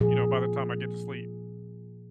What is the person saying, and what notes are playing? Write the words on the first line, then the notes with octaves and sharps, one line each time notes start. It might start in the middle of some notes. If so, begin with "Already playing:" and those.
you know, by the time I get to sleep.
A#2 F3 G#4